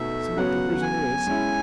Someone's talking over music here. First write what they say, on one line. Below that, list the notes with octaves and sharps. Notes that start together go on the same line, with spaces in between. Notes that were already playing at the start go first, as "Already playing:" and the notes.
See what the prisoner is.
Already playing: B2 A3 D#4 E5
C#3 F#3 B3 F#4 C#5 F#5
G#5
G#3 C#4 E4